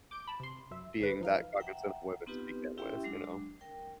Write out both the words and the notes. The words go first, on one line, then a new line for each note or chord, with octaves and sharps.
being that cognizant of women to begin with, you know?
D6 G6 D7
A5 B5
C3 C6
F#2 E5
G1 G2 D3 B4
F3 D#4 F5
E5 F#5 G5 A#5
B3 C4 D#4 F4 G4 B4
C#4 E4 G4 E5 G5 C6
F#3 G#3 D4
A#4 G5